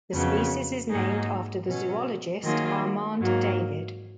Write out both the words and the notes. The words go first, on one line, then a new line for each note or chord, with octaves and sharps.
The species is named after the zoologist Armand David.
F2 C#3 F#3 B3
G#2 F#3 A#3 D#4 G#4
B2 F#3 C#4
D#3 F#3 A#3 F4 G#4
G#2 F#3 A#3